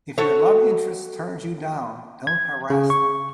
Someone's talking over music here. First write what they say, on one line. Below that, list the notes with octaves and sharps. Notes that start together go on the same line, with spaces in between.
If your love interest turns you down, don't harass them.
F#4 A4 C#5
G#6
C#3
C#6